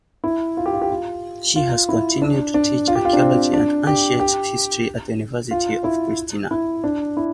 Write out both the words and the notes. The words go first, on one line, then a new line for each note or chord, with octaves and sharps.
She has continued to teach archaeology and ancient history at the University of Pristina.
E4
F4
G4
F4
G4
F4
F4
E4
D4
D4
F4
G4
F4
D4
C4
D4
G4
G4
F4
E4
E4
D4
E4